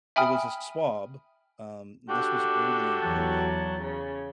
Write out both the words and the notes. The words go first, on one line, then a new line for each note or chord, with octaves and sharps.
it was a swab, um, this was early in COVID,
E5 G5 G#5 B5 D#6 F6
D4 F#4 G4 A4
E2 F#3 A5
C#3